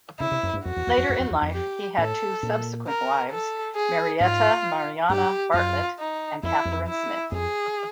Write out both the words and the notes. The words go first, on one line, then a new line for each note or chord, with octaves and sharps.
Later in life, he had two subsequent wives, Marietta Mariana Bartlett and Catherine Smith.
C#3 E4
C3
F#2
G2
F2 F#4
E2
E2
F2
F#2
F2
E2
F2
G4
A2 A4
A#2
A#4
A4
G#4
G#2 F4
G2 G4
F#2 F4
D#4
F2 E4
F2
E4
F2 G#4